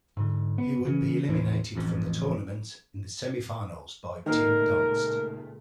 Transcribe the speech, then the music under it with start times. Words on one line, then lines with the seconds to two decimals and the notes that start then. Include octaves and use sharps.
He would be eliminated from the tournament in the semifinals by Tim Donst.
0.17 G#2 D3
0.58 B3
0.85 C#3 E3 C#4
1.29 D#2 A2 C3 E3
1.75 E1 A1 F2
4.26 C#2 A#2 D#3 A3 A#3 A#4